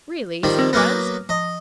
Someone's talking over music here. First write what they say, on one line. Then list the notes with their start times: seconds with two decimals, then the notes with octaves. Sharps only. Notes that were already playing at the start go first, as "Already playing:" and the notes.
"Really?" said Franz.
0.44 D#3 F3 G3
0.59 C4 C5
0.73 F#3 A#3 B3 D6 F6 A#6
1.29 F3 D#5